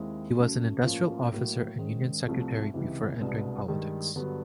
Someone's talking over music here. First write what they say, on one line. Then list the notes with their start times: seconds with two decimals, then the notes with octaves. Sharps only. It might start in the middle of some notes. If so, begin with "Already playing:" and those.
He was an industrial officer and union secretary before entering politics.
Already playing: D#2 D#3 G#3 C4 E4
0.36 F#2 C#3 F#3 A3
0.84 A2 F3 A#3 C#4 F4
1.31 A2 F#3 A#3
1.78 G#2 D#3 G#3 C#4
2.26 C2 C3 F3 A3
2.74 C#2 C3 E3
3.21 C2 B2 G#3 B3 D4
3.68 G2 D#3 G#3
4.16 G2 D3 F#3 B3